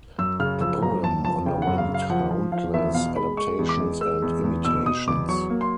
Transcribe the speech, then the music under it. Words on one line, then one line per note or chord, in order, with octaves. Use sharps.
The poem underwent countless adaptations and imitations.
F#2 E6
C#3 F6
F3 E6
F#2 A#5
F#2 A5
F3 A5
C#3 G5
F#5
F#2
F5
C#3
F5
F3 F#5
F3
F3 F5
E2 E5
B2 F5
G#3 B5
G#3 C#6
E2
D6
G#3
G#3 E6
E2
E2
B2 E6
B2 D#6
E2 D6
F#3 C#6
A#3
C6